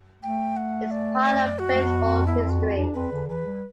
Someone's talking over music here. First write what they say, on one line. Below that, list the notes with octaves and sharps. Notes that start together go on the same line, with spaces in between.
It's part of baseball history.
A3 G5
F#5
D5
D5
F#4
A3
B3
C4
B3 E4
C4
F#4
C4
D4
C4 B4
D3
E3 B4
G3